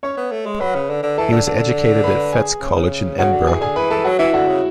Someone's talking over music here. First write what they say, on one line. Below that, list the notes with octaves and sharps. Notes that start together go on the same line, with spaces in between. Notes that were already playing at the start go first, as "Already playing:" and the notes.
He was educated at Fettes College in Edinburgh.
C#4 C#5 C#6
B3
A3
G#3
F#3 B4 B5
C#3
D3
D3
E3 A4 A5
D3
D3
B4 B5
G#4 G#5
C#3
C#3
C#3 F#4 F#5
D3
E3 G#4 G#5
D3 G#4 G#5
E3 B4 B5
E3 A4 A5
F#3 F#4 F#5
E3 E4 E5
D3 F#4 F#5
C#3